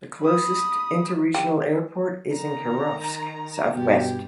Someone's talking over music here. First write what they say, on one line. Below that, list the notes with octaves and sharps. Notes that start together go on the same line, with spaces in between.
The closest interregional airport is in Kirovsk, southwest.
B5 D#6
G4
D#3 A#5
G2 B2 G4